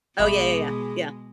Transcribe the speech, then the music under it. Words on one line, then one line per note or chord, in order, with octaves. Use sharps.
Oh, yeah, yeah, yeah. Yeah.
A1 B2 G3 G#3 G#4 E5 B5 D6